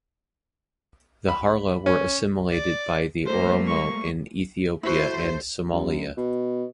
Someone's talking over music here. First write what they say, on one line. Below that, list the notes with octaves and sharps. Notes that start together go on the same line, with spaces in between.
The Harla were assimilated by the Oromo in Ethiopia and Somalia.
B5
C#4
D5
G3 A3 A#3 C5
C#6
A3 E4 F#4 C5
F#2
B2